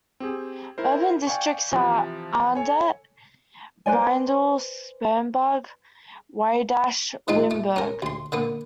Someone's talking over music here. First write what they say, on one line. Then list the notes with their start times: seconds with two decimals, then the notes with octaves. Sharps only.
Urban districts are: Adnet, Riedl, Spumberg, Waidach, Wimberg.
0.20 C4 G4 G#4
0.78 E4 A#4 C5
1.27 D5 F5 G5 G#5 C#6
1.71 C3 E3 F3
2.55 A4 C#5 G#5
3.86 B4 C5 D5 G#5
7.28 E3 G#3 C4 D#4 F4
7.51 A3
7.76 C#4 A#4
8.02 D2 C6
8.32 D3 A#3 B3